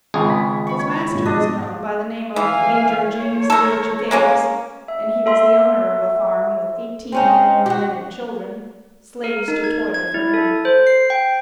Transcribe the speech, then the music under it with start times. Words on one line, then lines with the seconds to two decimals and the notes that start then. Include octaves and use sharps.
His master was known by the name of Major James H. Gales, and he was the owner of a farm with eighteen men, women and children, slaves to toil for him.
0.14 G#1 C#2 G#4
0.30 B6
0.67 B5 C#6
0.79 C#5
1.11 G#2 B2 F3
1.25 D4 D#5
2.36 E3 F5 G#5
3.00 A3 C#5
3.50 A4 A#4
4.11 G#3 A#3 C#4
4.88 E5
5.26 A4 E5 C6
7.12 C4 C#4 D#4
7.66 F#4 G4
9.24 A#4
9.48 D#4
9.64 G#6
9.94 G#6
10.14 E4
10.34 A4
10.65 C5
10.87 C7
11.10 G5